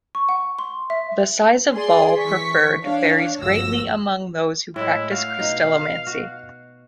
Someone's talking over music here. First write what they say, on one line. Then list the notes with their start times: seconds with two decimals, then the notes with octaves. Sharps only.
The size of ball preferred varies greatly among those who practice crystallomancy.
0.15 C#6
0.29 F#5
0.59 C6
0.90 E5
1.74 G#4 D5 C6
2.18 E3 C#6 B6
2.84 D4 C#5 F5
3.40 G1 D2 F3 F#4 E6 A#6
4.76 A2 G#3 E4
5.11 F#4 F5
5.39 B2 D#4
6.07 F#4